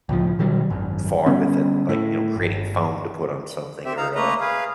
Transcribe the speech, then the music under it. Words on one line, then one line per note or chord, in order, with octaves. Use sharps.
far with it, like, you know, creating foam to put on something, or, uh
C#2 A2 F3
B2 D#3 F#3 G3
G#1 F#2
D3 G3 B3 C#4
A2
G1
C4 G4 E5
D#4 F5 A#5
A3 A#3 B4 D#5 A#5
G#4 B4 F5